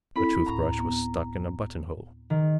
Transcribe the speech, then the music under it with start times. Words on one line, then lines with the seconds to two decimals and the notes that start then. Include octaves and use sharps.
A toothbrush was stuck in a buttonhole.
0.16 C4 E4 A4 B5
0.46 D2 A2 A#5 C#6
0.79 B3
2.30 D#3